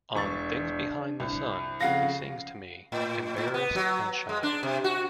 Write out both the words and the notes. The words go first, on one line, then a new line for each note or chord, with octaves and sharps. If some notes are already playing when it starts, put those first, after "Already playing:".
On 'Things Behind The Sun', he sings to me, embarrassed and shy.
E1 D4 C#6 A6
C2
F2 C#3 F5 F#5 A#6
A2
A2
B3
F#3
G#3
D4
C3
F#4